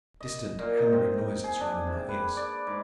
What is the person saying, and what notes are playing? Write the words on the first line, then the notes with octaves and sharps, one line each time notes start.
Distant hammering noises rang in my ears.
D#5
A#2
D#4
C4
G#4
D4
C3
B4
D5
G#2